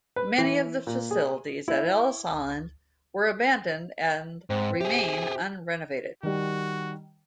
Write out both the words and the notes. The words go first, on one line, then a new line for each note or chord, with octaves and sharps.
Many of the facilities at Ellis Island were abandoned and remain unrenovated.
B4
E3
A#2
G#4
E4
G#2 C4
C3 G4 G#4
D#3 G3 F#4